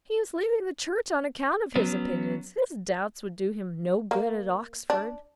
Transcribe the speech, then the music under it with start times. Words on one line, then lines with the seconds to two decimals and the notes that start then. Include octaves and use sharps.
He is leaving the Church on account of his opinions--his doubts would do him no good at Oxford.'
1.76 F#3 B3 C#4
4.11 A#3
4.90 D4